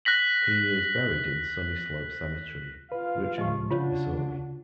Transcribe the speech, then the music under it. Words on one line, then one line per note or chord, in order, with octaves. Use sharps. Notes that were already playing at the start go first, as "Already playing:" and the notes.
He is buried in Sunny Slope Cemetery, Richmond, Missouri.
F#6 A#6 B6 F#7
F4 B4 F5
A2 F3 G#3 G4 D#5
C#3 D4 F4 F#4 C#5